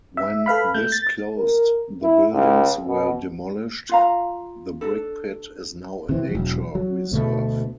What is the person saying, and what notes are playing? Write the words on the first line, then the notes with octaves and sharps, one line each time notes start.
When this closed the buildings were demolished; the brickpit is now a nature reserve.
E5
A4 B4 F5 B5
A3 G6
A6
A#4
E4
C#2
B2
F4 F5 A#5
D4 A4
C3 E3 C4
E1 F#3
F#3
D2 B2 A3